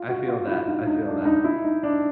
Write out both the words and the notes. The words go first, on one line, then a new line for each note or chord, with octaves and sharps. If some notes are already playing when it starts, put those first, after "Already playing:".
I feel that. I feel that.
Already playing: F4
F#4
F4
E4
D#4
D#4
D4
D#4
E4
D#4
D4